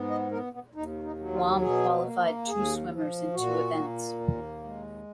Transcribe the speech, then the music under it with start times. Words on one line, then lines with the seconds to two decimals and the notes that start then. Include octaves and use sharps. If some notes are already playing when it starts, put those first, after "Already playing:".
Guam qualified two swimmers in two events.
Already playing: G#2 B3
0.10 D#5
0.32 B3 A#4
0.53 B3
0.75 D#2 D#4
1.03 D#4
1.18 F#3
1.33 F4
1.61 B2 G#4
2.04 A#3
2.48 D#2 G#4
2.91 F3
3.34 A#2 F#4
3.77 A#3
4.20 D#2
4.64 G#3